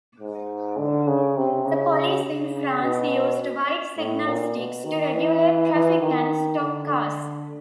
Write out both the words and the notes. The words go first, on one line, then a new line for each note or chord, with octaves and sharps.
The police in France used white signal sticks to regulate traffic and stop cars.
G#2
D3
C#3
C3
C#3
C#3
B2
A2
A#2
B2
D#3
E3
E3
D#3
D3
D3